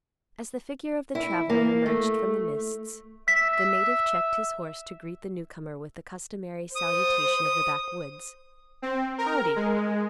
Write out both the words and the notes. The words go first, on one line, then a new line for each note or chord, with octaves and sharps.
As the figure of the traveler emerged from the mists, the native checked his horse to greet the newcomer with the customary salutation of the backwoods, "Howdy."
E4
A#3
A3
E5 B6
C5 D#6
C4
A#4
G#3